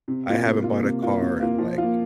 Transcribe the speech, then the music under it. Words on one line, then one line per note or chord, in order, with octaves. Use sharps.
I haven't bought a car in, like
C3
A#3 F4
C3
A#3 F4
C3
A#3 F4
C3
A#3 F4
F3
A#3 F4